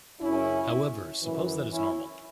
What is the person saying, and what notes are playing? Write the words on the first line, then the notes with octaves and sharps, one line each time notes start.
However, suppose that is normal.
F#2 C#3 F#3 C#4 E4
F#2 E3
C#4 E4